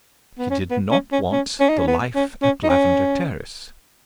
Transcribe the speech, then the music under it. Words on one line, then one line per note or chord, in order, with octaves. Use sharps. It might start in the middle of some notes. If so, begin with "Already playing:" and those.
He did not want the life at Lavender Terrace.
B3
C#4
B3
C#4
C#4
C#4
C#4
D#4
C#4
B3
C#4
C#4
D#4
C#4